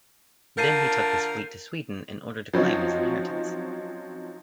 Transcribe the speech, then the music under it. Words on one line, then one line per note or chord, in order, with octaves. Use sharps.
Then he took his fleet to Sweden in order to claim his inheritance.
D3 F4 A#4 A5 G6 C7 D#7
F3 F#3 C4 C#4 D#4